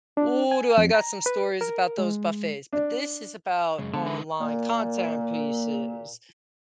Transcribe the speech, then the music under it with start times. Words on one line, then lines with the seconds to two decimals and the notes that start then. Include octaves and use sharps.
Ooh, do I got some stories about those buffets, but this is about online content pieces,
0.17 D4
0.51 G#5
0.77 F2
0.94 A#5
1.26 B4
1.61 A#4
1.98 G#3
2.73 D4
3.78 F#2 C#3 G#3
3.94 D3 B3
4.06 D#4 A#4 B4
4.40 A#2 A#3